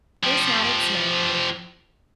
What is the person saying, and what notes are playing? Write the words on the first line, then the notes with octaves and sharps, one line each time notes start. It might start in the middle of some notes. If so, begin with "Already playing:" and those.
Grace nodded smilingly.
F3 G4